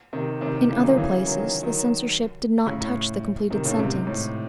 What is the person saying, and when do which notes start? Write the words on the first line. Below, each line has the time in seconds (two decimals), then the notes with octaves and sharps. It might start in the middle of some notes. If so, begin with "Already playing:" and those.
In other places the censorship did not touch the completed sentence.
0.13 C3 D#3
0.41 C3 D#3
0.69 C#3 E3
0.84 D#3 F#3
0.97 C#3 E3
1.25 D#3 F#3
1.63 D#3 F#3
2.66 A2 C#3
2.81 A2
3.50 C3 D#3
3.65 A2 C#3
3.79 G#2 C3
4.07 A2